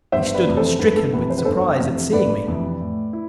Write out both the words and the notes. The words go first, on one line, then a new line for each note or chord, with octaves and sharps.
He stood stricken with surprise at seeing me.
G1 C5 E5
B4 D5
F2 C3 E3
A4 C5
G1 B4
A4
F2 C3 E3 B4
C5
B4
G1 A4 C5
F2 C3 E3
G1 B4 D5
F2 C3 E3
A2
E4